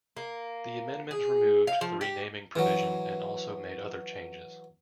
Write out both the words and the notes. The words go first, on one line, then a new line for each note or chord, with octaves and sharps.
The amendment removed the renaming provision and also made other changes.
A#3
G#4
F5
F3
G4
E3 F#3